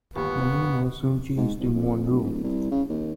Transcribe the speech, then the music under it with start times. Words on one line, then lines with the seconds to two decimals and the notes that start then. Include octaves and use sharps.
The name was soon changed to Monroe.
0.16 G1 D#2 B3 G4 C#6
1.37 G#2
1.59 C2
1.75 F2
2.10 D1
2.43 C2
2.71 C#3
2.89 D#2